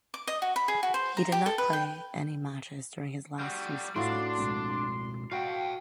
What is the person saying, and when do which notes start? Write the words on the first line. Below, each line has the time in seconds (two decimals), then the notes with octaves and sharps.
He did not play any matches during his last two seasons.
0.14 D6
0.27 D#5
0.42 F#4
0.56 B5
0.68 G#4
0.83 F#4
0.94 C5
1.17 A#5
1.32 G4
1.46 A4
1.58 B4
1.73 G5
3.39 G3 F#4
3.96 A2 D4 F4 F#4 D5 C6
4.38 B2 G#3 C4
5.31 F#4 F5 G5